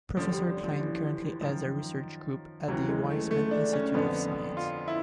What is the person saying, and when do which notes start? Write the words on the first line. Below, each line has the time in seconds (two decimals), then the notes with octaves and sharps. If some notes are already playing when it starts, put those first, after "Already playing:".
Professor Klein currently heads a research group at the Weizmann Institute of Science.
0.16 D#2 D3 F3
0.32 G3
0.47 G3
0.64 F3
0.80 E3
1.42 F#2 D#3 F3
2.68 D#2 C#3 E3 F#3
2.89 G#3
3.10 A3
3.31 A3
3.51 D4
3.73 C#4
3.94 F2 D3 B3
4.57 F4
4.88 E4